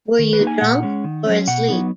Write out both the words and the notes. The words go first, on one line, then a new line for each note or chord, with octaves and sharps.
Were you drunk or asleep?
D#3
B4
A#3 D#4
G#5
A#2 F#5
G#3 C#4
D#3
F#3 C#4
B2 F#5
F#3 B3 D#4